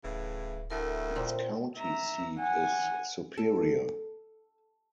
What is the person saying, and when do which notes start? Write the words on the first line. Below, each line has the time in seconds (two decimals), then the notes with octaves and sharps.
Its county seat is Superior.
0.04 D1 A2 C#3 E3
0.70 D2 A2 A3 A#4
1.16 A#2 C4
1.77 E5 A#5
2.39 F#5 G#5
3.38 A4